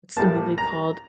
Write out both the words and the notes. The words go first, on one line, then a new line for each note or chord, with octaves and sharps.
what's the movie called
A2 G3 A#3 A5
A#5